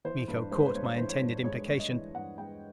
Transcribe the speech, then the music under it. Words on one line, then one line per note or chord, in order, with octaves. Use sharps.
Miko caught my intended implication.
E3 C5
G2 B4
G#3 C5
B4
C5
G2 C#5
E3 C5
C#5
G2 C5
G#3 C#5
G2
D#5
E3
G2 F#5
G#3 G5